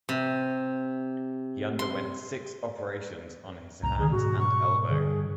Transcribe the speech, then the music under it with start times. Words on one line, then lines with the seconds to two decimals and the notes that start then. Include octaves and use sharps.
He underwent six operations on his hands and elbow.
0.09 C3
1.79 C6
3.83 C2 A#2 A#5
3.99 D3 D#3 G#3 G#4
4.11 G#2 B2 F#4
4.39 C#6
4.90 G2 D3 G#4